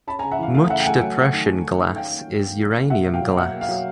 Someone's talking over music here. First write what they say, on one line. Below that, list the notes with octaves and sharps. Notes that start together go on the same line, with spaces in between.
Much depression glass is uranium glass.
C#4 A5 B5
G#5 A#5
C#3
E5 F#5
E3 F5
A3 F5
C#3 E5 F#5
G5
A3 F#5 G#5
F#3
F#3
D#3
D#3
D#3
D#3
C#4 F5 G5
A#3
F#3
A#3
C#4
A#3
B2 E5 F#5
A#3
F5 G5
F#3
A#3 E5 F#5
A#3
F5
F#3